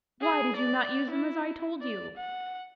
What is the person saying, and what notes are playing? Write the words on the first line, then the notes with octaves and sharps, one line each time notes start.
Why did you not use them as I told you?
G#4
D5
E4
D5
F#5